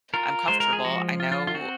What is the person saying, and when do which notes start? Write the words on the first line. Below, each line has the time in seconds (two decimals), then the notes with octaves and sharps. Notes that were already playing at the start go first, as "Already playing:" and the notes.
I'm comfortable, I know
0.14 F4 A#4
0.48 G#3 C5
0.60 A#4
0.73 G#4
0.85 F3 F#4
1.20 F4
1.32 F4
1.47 F4
1.54 C4 F#4